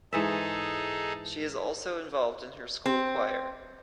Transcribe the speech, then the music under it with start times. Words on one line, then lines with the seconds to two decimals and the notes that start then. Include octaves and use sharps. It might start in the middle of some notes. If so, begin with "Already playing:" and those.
She is also involved in her school choir.
0.13 G#2 E3 D#4 G#4 A4 E5
2.86 C4